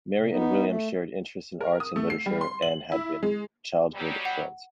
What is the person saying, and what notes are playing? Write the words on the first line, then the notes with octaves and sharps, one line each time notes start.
Mary and William shared interests in arts and literature and had been childhood friends.
C3
B3 D#4
A3
A#4
D#6
A3
C7
G3
C6
F#7
E4
G#3
B2 F#3 G3
F#5